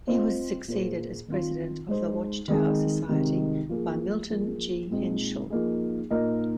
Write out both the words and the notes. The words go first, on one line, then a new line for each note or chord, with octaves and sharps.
He was succeeded as president of the Watch Tower Society by Milton G. Henschel.
C4 F4 C5 D#5
A#2 A#3 G#4 C5
D#3 C4 F4
G#3 D#4 C5
D#3 G#3 C4 D#4 G#4
C3 D#3 G#3 C4 D#4
F3 A#3 G#4
F3 A#3 F4 G#4
A#2 G#3 C4 D#4
F3 A#3 D#4 G#4
A#2 A#3 D#4 A#4 D#5